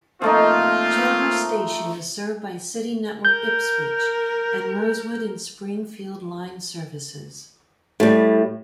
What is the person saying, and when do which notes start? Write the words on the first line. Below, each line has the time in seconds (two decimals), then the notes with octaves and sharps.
Chelmer station is served by City network Ipswich and Rosewood and Springfield line services.
0.22 F3 A3 A#3 C4 D#4 F4
3.25 A#4 G6
8.00 A2 G3